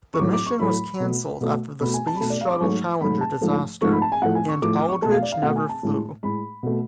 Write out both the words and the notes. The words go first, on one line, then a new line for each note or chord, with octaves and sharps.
The mission was canceled after the Space Shuttle Challenger disaster, and Aldridge never flew.
C#6
A2 F#3 A3 D6
D6
C#6
A2 F#3 A3 B5
B2 A3
B2 A3
B2 A3 B5
G#5
A5
B5
B2 A3 A5
D5
F5
D6
G#2 F#3 A3 C#6
G#2 F#3 A3 B5
A5
G#2 F3 A3
G#2 F3 A3 C#6
B5
A5
G#5
A2 F3 A3 F#5
G#5
C#6
A2 F3 A3 D6
D6
C#6
B2 A3 A5
F5
D5
F5
B2 A3 F#5
G#5
A5
A2 G#3
A2 G#3 B5
B2 A3